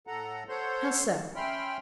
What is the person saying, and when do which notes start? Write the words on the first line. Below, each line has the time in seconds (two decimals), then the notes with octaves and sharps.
"How so?"
0.07 A2 A4 F#5 A#5
0.49 A4 C5 C#5 F#5 C6 G6
1.36 C#4 E5 G5 B5 C6 F6